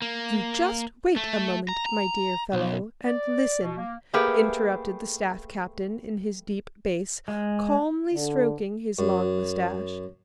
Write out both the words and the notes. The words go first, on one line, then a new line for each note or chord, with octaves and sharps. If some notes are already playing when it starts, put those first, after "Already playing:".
"You just wait a moment, my dear fellow, and listen," interrupted the staff captain in his deep bass, calmly stroking his long mustache.
A#3
A3
A#5
A#5
B1
D5
B2
A#3
A3 A#3 G4 G#4 A#4 B4
G#3
D3
F#2